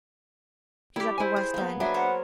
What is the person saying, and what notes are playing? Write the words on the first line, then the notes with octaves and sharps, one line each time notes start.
She's at the West End.
G3 E4 G4
E4 C5 G#5
G#4
A#3 B3
F#3 B3 D4 E5 G#5
A#4 C5 C#5 F#5